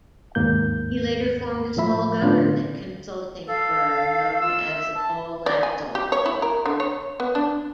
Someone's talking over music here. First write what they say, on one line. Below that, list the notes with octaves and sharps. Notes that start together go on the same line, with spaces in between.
He later formed a small government consulting firm known as The Paul Laxalt Group.
D#2 G#2 A#3 G6
A2 F3 E5 B5
A2 D3 B3 C#4 D4 F4
A4 F5
F4 E6
E5
A5
D5
G#5
G4
C#5
E4
A#4
D3
C#5
B3
D4